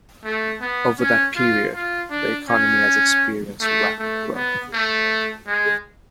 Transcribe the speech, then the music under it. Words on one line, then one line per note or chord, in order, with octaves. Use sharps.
Over that period, the economy has experienced rapid growth.
A3
B3
C#4
F4
F4
D4
C#4
A3
A3
B3
A3
G#3